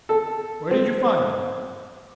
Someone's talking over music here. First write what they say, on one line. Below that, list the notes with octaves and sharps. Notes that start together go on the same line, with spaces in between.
"Where did you find them?"
A4
C4